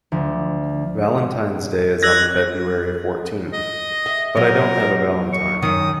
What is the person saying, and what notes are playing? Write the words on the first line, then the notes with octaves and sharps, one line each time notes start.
Valentine's Day is on February fourteenth, but I don't have a valentine.
D2 F3
E6 F#6 G#6 A#6
D#5
E5
A#2 F#3 A#4
C#6
F#2 D#3 D#6